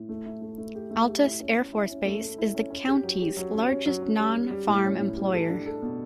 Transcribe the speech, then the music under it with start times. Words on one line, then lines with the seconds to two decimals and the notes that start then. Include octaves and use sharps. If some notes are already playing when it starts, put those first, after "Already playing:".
Altus Air Force Base is the county's largest non-farm employer.
Already playing: A2
0.09 A3
0.26 E4
0.42 A3
0.58 A3
0.75 G4
0.91 A3
1.08 G4
1.23 E4
1.40 C#4
1.56 C#4
1.73 E4
1.90 C#4
2.05 A3
2.22 A3
2.38 E4
2.55 C#4
2.70 C#4
2.87 G4
3.04 F#3
3.21 G4
3.37 F#3
3.53 C#4
3.69 C#4
3.86 F#3
4.02 C#4
4.19 G3
4.35 G3
4.51 G3
4.67 A2
4.84 C#4
5.00 A2
5.17 G3
5.33 A4
5.49 D4
5.66 A4
5.82 B2